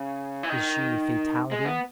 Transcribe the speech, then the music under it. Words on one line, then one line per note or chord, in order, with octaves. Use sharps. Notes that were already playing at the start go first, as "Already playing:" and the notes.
Is she Fatality?
Already playing: C#3
E3
D#3
G#3
B3